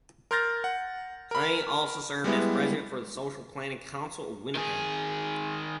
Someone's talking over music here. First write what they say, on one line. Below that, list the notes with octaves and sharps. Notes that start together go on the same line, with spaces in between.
She also served as president for the Social Planning council of Winnipeg.
A#4 C6 F6 G6 A6 A#6
F#5
A#4 B5
G3 G#3 B3 E4
D#3 G#4